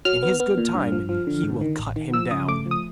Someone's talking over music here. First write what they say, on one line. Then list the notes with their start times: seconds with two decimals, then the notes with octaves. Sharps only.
In His good time He will cut him down.'
0.05 F#3 F6
0.23 B3
0.40 B3
0.58 A#2
0.74 G2
0.92 F3
1.09 F3
1.27 D3
1.43 G#2
1.61 D#3
1.79 A1
1.96 D#3
2.13 F3 E6
2.31 C#3 D#6
2.48 A3 D6
2.66 F3
2.71 D#6